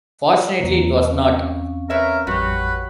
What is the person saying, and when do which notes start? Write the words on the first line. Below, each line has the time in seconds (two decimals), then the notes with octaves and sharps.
Fortunately, it was not.
0.61 E2 C3 A#3 C4
1.08 C4 C#4 F5
1.90 A#4 B4 C#5 E5
2.27 A1 F2 G3 F#4 G4 B4 C#5